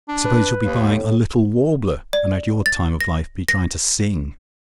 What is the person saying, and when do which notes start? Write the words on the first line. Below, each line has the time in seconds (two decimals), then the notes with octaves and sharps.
I suppose you'll be buying a 'Little Warbler,' and at your time of life, be trying to sing.
0.08 D4
0.25 B4
0.64 D#2
0.90 A2
2.13 D5
2.66 A6
3.01 A#6
3.48 A#6